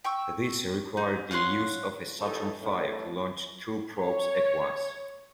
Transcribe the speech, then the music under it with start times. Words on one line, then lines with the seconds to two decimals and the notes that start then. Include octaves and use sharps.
This required the use of a Saturn Five to launch two probes at once.
0.04 G5 C#6 E6
0.97 D#4
1.31 F4 C#5 F#5 C6
2.20 C2 F#2 E3 A3 D#4 A4
2.61 A1 A2
4.00 C#5